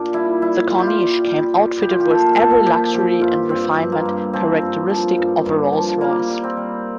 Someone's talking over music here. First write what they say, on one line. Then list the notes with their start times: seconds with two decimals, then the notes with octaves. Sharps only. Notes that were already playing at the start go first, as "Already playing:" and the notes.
The Corniche came outfitted with every luxury and refinement characteristic of a Rolls-Royce.
Already playing: A#2 D4
0.14 G3 E4
0.42 G3 E4
0.70 G3 F4
0.78 G4
0.87 F4
0.99 G3
1.27 G3
1.54 G3
1.81 A#2 G4
1.91 F4
2.00 G4
2.10 A#2 A4
2.31 G4
2.38 A#2 A4
2.66 F3 G4
2.93 F3 G4
3.21 G2 F4
3.50 G2 C4
3.78 G2
3.92 A#3
4.05 G2
4.33 F3 C4
4.61 G2
4.90 F3
5.17 G2
5.46 G2
5.73 F3
6.01 G3 A#3
6.30 G3
6.44 C4
6.57 G3